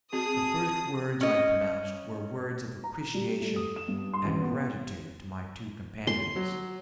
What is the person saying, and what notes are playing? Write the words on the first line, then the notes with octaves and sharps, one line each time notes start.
The first words I pronounced were words of appreciation and gratitude to my two companions.
C4 F#4 G#4 A5 D#6
C#4 D#5
A#5
G3
A3
D#6
E7
G2
C6
A1
B3
C6
F#3